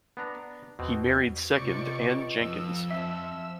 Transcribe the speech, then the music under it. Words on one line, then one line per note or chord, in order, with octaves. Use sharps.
He married second Anne Jenkins.
B3 D4 A#5
E2 B2 C4
C#2 C3 D5 C#6
F2 E6
F3 E5